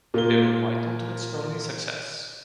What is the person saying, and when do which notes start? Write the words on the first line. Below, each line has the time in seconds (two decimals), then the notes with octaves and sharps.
They were vital to its early success.
0.14 A#2 A#3 G7